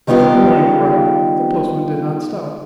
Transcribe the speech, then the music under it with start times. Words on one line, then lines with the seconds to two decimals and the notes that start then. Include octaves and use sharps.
The third morning arrived; the postman did not stop.
0.07 D#3 G3 B3 D#4 F4 G4